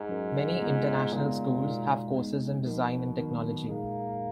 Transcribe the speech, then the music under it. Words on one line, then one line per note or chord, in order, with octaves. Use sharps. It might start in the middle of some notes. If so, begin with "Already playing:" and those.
Many international schools have courses in design and technology.
Already playing: G#2
F#3 C#4 F#4 A#4
G#3 B3 F4
A#2 C#3 G#3 B3 D#4 G#4
B2 G#3 D#4 F#4
G#3 B3 D#4
B2 F3 A#3 D#4 A#4
D#3 F#3 B3 D#4 A#4
A#2 G#3 A#3 D#4 G#4